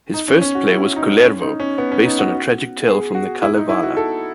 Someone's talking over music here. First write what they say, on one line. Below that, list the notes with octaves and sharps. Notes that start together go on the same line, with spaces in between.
His first play was "Kullervo", based on a tragic tale from the "Kalevala".
D#4
C#4
C#4
F#4
E4
D#4
C#4
D#4
C#4
B3
C#4
D#4
F#4
G#4
F#4
E4
D#4
E4
F#4
A4